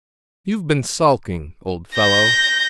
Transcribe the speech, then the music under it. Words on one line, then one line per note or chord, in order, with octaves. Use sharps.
You've been sulking, old fellow.
G6 A#6